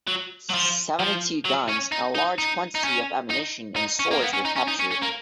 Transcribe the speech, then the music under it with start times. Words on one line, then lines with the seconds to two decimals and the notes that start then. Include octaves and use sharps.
Seventy-two guns and a large quantity of ammunition and stores were captured.
0.07 F#3
0.50 F#3
0.54 F3
1.00 F3
1.46 F#3
1.69 C#4
1.92 D#4
2.15 D#4
2.38 D#4
2.75 D#4
2.84 C#4
3.30 D#4
3.76 D#4
4.00 C#4
4.11 A#3
4.22 B3
4.33 C#4
4.45 D#4
4.56 C#4
4.68 D#4
4.80 C#4
4.91 C#4
5.03 A#3